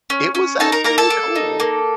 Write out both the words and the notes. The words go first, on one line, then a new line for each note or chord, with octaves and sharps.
It was actually cool.
C#4
C#4
D#4 A4 A5
A#4 A#5
A#3 A#4 A#5
A4 A5
A#3
D#4
A#3